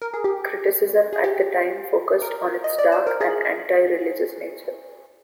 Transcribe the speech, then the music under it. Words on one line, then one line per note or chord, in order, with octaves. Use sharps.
Criticism at that time focused on its dark and antireligious nature.
A#4
G#4
G4
G#4
G4
A#4
D#5
D5
C5
A#4
G#4